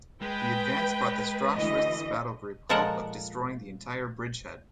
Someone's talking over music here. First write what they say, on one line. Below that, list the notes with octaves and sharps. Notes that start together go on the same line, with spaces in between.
The advance brought the Strachwitz Battle Group hope of destroying the entire bridgehead.
G#3 B4 G5
D2 E3 D#5
A#2 F3 G#3 A4 A#4 F#5